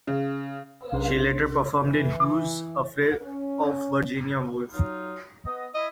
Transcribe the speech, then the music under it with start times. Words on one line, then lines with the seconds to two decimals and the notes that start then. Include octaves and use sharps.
She later performed in Who's Afraid of Virginia Woolf?
0.07 C#3
0.92 B1 C3 C#4 D4 G#4 C6
1.83 E3
3.23 C#4
4.72 F#3 D#4 F4
5.45 B3 D#5
5.74 E4 D#5